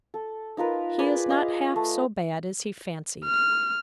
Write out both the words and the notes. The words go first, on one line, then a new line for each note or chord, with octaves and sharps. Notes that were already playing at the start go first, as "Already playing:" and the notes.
He is not half so bad as he fancied.
A4
D#4 F4 A#4 B4
G#4 B4 D5
G#4 D#5 F5
A3
F6